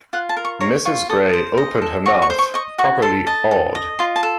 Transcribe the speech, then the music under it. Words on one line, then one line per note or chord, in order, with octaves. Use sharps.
Mrs. Gray opened her mouth, properly awed.
F4 F#5
A5
A#4
C#6
C#5 A#5
F4 C#6
A4 D#6
C5
D#5
A4
F#4 C#6
C#6
C5
C#6
D#5 C#6
F#4 C#6
A4 C6
D#5 A5
A4
D#5
F4 C6
A5
A4